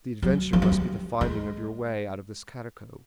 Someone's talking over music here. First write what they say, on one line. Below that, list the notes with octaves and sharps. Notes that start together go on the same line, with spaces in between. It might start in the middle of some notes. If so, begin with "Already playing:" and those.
The adventure must be the finding of your way out of this catacomb.
F#3
F3
F#3
G3
G#3